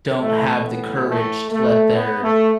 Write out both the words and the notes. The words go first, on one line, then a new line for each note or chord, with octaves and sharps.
don't have the courage to let their
A2 E3 A3
B3
A3
A3
B3
A3